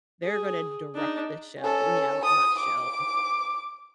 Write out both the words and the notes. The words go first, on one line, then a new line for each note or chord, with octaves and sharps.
they're gonna direct the show," you know, not show.
G#4
D4 D#4
C#4 A4
D#6
D6